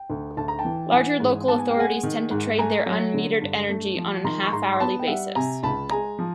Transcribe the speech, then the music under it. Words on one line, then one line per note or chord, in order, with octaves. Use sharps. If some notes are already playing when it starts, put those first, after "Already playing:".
Larger local authorities tend to trade their unmetered energy on a half-hourly basis.
Already playing: G5
D2
D2 A5
A#5
G5 A5
E3
E3 F#5 G#5
G#2
B3 A5
G#5
G5
G#3 F#5 G#5
D#3
G#2
A3 G#5 A#5
F#3
D3
G2
A3
F3
D#3 A#5 C6
C#6
G#2 A#5 C6
C6
B3 A5 B5
G5
G3 E5 F#5
C3 G#5 A#5
C#2 A5 B5
G#3 G#5 A#5
F3